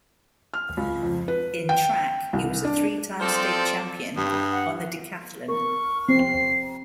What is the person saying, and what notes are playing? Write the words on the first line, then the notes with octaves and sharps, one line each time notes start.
In track, he was a three-time State Champion on the decathlon.
F6
C#2
F2
B4
G5
G5
C2
D4
F3 C4 A4 C5 D5
G2 D#6
F#5
A#4 C#6
C4 C5 C7